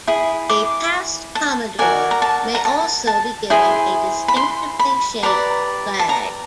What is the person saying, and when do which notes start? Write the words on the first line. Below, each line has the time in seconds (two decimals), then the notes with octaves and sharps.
A past-commodore may also be given a distinctively-shaped flag.
0.07 E4 G#4
0.50 D6
1.35 A5
1.79 F#4 A#4 D5 G#5
2.11 A#5
2.22 A5
2.55 A#5
2.65 A5
3.07 A5
3.50 E4 G#4 C5 G#5
4.28 B5
4.36 C6
4.79 B5
5.23 G4 B4 D5 A#5
5.99 A5
6.09 A#5